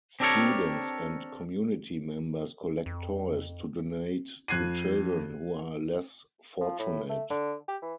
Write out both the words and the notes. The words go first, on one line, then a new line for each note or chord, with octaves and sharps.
Students and community members collect toys to donate to children who are less fortunate.
C4 D4 G4 A4 A#4 C#5
F2
F2 F#6 G#6 C7 D#7
F3
A2
A3
D3
G4
E3